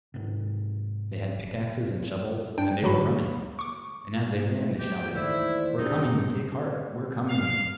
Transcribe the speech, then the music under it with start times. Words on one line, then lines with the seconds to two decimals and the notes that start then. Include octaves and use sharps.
They had pickaxes and shovels, and they were running. And as they ran they shouted, "We're coming; take heart, we're coming!"
0.14 G#2 C3
2.58 G2 D4 G5
2.82 G1 E3 F#3 F#4 B5
3.59 C#6 D6
4.79 F3 F#3 A#3 G4
5.15 A1 D#2 A2 E4 C5 D5
5.78 F#2 C3 F#3 D4 D#4 G#4
7.29 F5